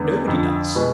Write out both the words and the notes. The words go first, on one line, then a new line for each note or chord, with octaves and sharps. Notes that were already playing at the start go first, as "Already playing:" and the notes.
Nobody does.
Already playing: E2 D3 G#3 B3
F2 D3 F3
B2 G#3 B3